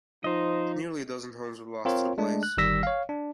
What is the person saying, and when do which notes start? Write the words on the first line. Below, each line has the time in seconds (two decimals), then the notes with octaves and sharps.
Nearly a dozen homes were lost to the blaze.
0.24 F3 D#4 C5 D#5
1.85 C4 F4 A#4 C#5
2.18 G#3 A3 D4
2.43 F#6
2.57 G1 D#3 G3 E6 A#6 B6
2.83 C#5 F5
3.09 D4